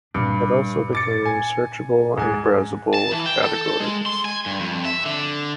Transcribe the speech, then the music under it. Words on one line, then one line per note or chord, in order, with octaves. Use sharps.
It also became searchable and browsable with categories.
G2 A#2 D4
D6 A6 C#7
G#5
G#2 G#5
A5
E3
G5
A4
G#3
C6
G#5
G2
F2
E5
D3